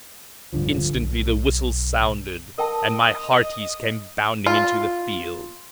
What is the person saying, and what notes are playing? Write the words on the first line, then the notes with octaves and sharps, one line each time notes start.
Instantly the whistles sounded, and my hearties came bounding into the field.
D1 G2 D3 F3
B1
A#4 D#5 G5 A5
F4